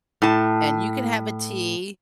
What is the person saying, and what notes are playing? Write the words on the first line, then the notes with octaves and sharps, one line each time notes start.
and you can have a tea,
A2 A5